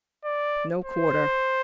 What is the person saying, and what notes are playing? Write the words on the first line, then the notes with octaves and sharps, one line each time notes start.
No quarter.
D5
C5